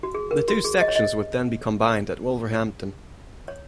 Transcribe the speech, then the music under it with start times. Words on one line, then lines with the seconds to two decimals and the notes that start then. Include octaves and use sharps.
The two sections would then be combined at Wolverhampton.
0.03 F#4
0.15 G#4
0.31 A#4
0.48 F#4
0.65 G#4
0.81 D#5
0.88 C#5
0.95 D#5
3.48 C#5